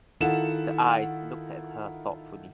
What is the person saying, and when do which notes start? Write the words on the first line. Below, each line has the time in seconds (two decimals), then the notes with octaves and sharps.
The Eyes looked at her thoughtfully.
0.20 D#3 E4 F4 A4 F#5 E7